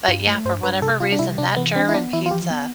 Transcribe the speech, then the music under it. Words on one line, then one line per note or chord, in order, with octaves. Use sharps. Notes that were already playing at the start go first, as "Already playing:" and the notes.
But, yeah, for whatever reason, that German pizza,
G2 F4
A3
G2 C5
G2 B4
C3 A4
G3 F4
D4
C3 E4
C3 D4
E3 B3
C4 D4
E4
B3 D4
E3 E4
F4
F3 G4
B3